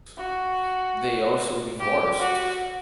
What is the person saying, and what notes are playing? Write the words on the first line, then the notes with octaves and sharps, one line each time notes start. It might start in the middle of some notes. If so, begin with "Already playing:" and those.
They also divorced.
F#4
G4
F#4